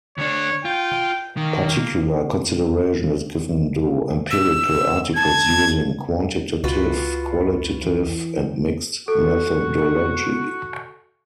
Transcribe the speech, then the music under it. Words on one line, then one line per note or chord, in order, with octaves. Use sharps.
Particular consideration is given to empirical articles using quantitative, qualitative, and mixed methodology.
D2 D4 C#5
F4 G5
D#3 A#3
E6
A5 G#6
C#2 F4 F#4 B4
E3
F#4 A4